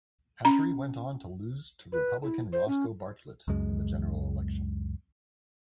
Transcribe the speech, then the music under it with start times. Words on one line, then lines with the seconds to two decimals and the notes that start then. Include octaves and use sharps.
Hattery went on to lose to Republican Roscoe Bartlett in the general election.
0.45 C#4 A#5
1.92 B4
2.23 E4
2.53 C5
2.68 C#4
3.48 C#2 F#2 G#3